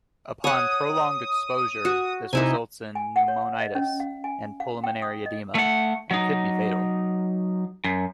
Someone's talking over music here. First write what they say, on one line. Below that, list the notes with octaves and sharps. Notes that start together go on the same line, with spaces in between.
Upon prolonged exposure, this results in pneumonitis and pulmonary edema, and could be fatal.
C#5 F#5 D#6
F#4
C3 D#4 E4 G#5
G#5
F#5
C#5
D#5
C#4
F5
G#5
F5
G5
D#6
D#5
A3 F#5
F#3 D#4
F#2